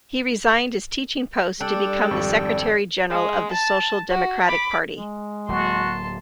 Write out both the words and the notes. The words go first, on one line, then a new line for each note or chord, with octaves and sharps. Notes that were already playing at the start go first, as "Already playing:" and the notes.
He resigned his teaching post to become the secretary-general of the Social Democratic Party.
G3 D4 A4 G5
G#1 F2 C#6
G#3
A5
F#4
B5 D6
G#3
D1 F#3 A#3 F#4 A5 C6